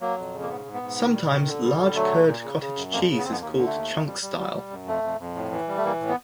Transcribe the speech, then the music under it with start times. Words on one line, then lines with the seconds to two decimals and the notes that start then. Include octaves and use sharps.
Sometimes large-curd cottage cheese is called chunk style.
0.01 F#3 A#3
0.17 F2
0.34 C#3
0.42 A#3
0.50 G#2 B3
0.66 G#2
0.74 B3
0.83 G#2
0.99 D#3
1.15 G3
1.30 D#3
1.46 D3
1.63 G3
1.80 D3
1.95 F#3 A3
2.11 A#2
2.27 A#2
2.44 C#3
2.60 C#3
2.76 F#2
2.92 F2 A#3
3.09 C#3
3.17 B3
3.24 F2 C4
3.32 B3
3.41 D#2 A#3
3.57 D3
3.66 A3
3.73 D#2
3.90 F2
4.06 G3
4.22 G3
4.38 G3
4.55 G3
4.71 F#2
4.87 F2 A3
5.03 F2
5.19 F2
5.35 A2
5.52 E3
5.68 G3
5.77 A3
5.84 E3 A#3
6.01 A2
6.09 B3